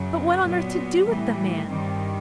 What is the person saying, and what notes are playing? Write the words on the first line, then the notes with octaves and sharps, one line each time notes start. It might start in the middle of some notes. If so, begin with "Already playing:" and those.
But what on earth to do with the man?
Already playing: F#2 C#3 F#3
B3
A#2 F#3
A2 E3 G3
G2 D#3 G3 C4